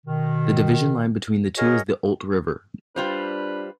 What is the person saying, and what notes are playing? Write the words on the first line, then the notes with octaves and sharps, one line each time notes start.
The division line between the two is the Olt River.
B2 D#3
F#4 G#4 A#4 C#5 D#5
G3 D4 F4 B4 C5